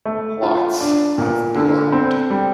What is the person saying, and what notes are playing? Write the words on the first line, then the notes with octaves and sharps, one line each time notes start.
Lots of blood.
A3
F4
D4
A#2
D3
C4
G3